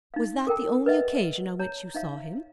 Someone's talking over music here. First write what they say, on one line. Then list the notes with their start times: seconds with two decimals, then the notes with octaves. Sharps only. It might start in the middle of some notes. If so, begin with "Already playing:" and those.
Was that the only occasion on which you saw him?
0.14 D#4 F5
0.47 A4 A#4 G5 A5
0.86 B4 D#5 E5 F#5
1.59 C#5 A5 A#5
1.94 D#4 E5 F5